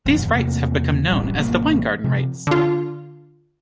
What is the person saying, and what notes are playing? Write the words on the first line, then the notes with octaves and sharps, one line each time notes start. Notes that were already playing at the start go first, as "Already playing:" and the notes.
These rights have become known as the Weingarten Rights.
E1 F#2 A#2 D#3
E2 C3 A3 A#3
D1 A1 F#2 G3
A1 G2 C3 A#3
C3 F3
D3 F4